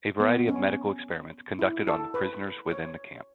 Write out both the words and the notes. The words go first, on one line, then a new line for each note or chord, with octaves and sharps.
A variety of medical experiments conducted on the prisoners within the camp.
B3
C#4
E4
A4
B4
C#5